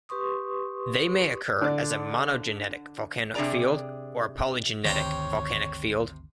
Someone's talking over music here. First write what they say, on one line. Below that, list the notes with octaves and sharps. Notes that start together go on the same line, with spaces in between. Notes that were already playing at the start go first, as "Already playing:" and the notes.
They may occur as a monogenetic volcanic field or a polygenetic volcanic field.
G4 B4 C6 C#6 D#6
D3 D5
C3 D4 G#4 D5 A#5
G1 D2 C3 D#3 C#5 G5 A#5